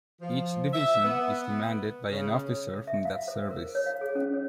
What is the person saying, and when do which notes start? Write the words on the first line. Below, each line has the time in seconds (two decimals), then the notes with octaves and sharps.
Each division is commanded by an officer from that service.
0.21 F3
0.73 E5
1.04 B3
2.09 C#3
2.87 E5
3.05 F5
3.28 C5
3.51 A#4
3.75 C#5
3.86 F5
4.01 G#4
4.15 C#4
4.33 C#5